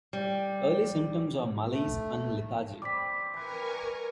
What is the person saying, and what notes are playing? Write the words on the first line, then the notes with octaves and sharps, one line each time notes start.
Early symptoms are malaise and lethargy.
G3
A3
G3 C4 D6 B6
E3 A#4 B4 G#5 C#6